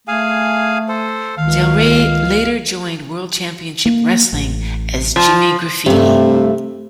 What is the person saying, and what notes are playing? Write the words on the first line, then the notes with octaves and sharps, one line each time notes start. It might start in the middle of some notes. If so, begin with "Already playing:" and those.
Del Ray later joined World Championship Wrestling as Jimmy Graffiti.
A3 G#4 F5 G#5
A4 C5
C#2 D#3 F5
A#3
A1
F3
G2 C3 A3